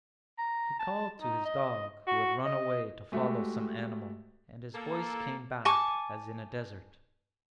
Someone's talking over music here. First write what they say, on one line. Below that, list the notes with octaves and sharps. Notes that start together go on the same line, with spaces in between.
He called to his dog who had run away to follow some animal, and his voice came back as in a desert.
A#5
A5
D#4
D#5
F#4
D#5
G#3 A3 F#4 G4
A#3 A4
G#5 A5 C#6 D6